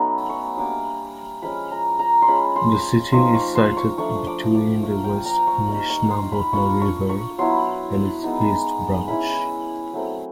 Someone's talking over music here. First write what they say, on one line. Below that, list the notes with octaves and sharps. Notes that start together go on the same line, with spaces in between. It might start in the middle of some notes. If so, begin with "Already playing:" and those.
The city is sited between the West Nishnabotna River and its East Branch.
Already playing: F#3 A3 B3 C#4 D#4 B5
C#6
G3 A#3 D4 D6
F3 G#3 C#4 F4 B5
A#5
A#5
C6
G#3 C#4 F4 B5
C6
F3 A#3 D#4 C6
C#6
C6
C#6
F3 A3 D4 C#6
D6
D6
A#3 D4 F4 C#6
G5
A#5
C#6
G3 A#3 D#4 C#6
C#6
C6
B5
A#3 D4 F4 C#6
C#6
C#6
F#3 B3 E4 C6
G#3 B3 D#4
G#3 C#4 E4 B5
F#3 A3 C4